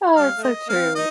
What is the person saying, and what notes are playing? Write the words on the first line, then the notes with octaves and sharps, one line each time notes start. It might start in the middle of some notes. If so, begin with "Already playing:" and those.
Oh, it's so true.
G3 F5
A3
D#5
A#3 F5
C4
D#4 D#5